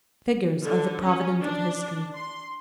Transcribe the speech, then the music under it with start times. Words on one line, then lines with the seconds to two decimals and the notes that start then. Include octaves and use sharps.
Figures are the providence of history.
0.62 D3
1.04 C#4
1.41 D4
2.15 C6